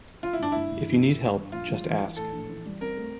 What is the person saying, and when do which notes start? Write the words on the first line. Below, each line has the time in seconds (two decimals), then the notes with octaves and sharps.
If you need help, just ask.
0.23 F3 F4
0.33 E4
0.39 G1 D4
0.52 G1 E4
0.71 G1
0.87 G2
1.04 G1
1.19 G1
1.36 G2
1.52 A#1 F4
1.68 G3
1.85 E3
2.01 E3
2.16 A2 A4
2.33 A#1
2.49 E3
2.65 G3
2.81 C4 A#4
2.97 A3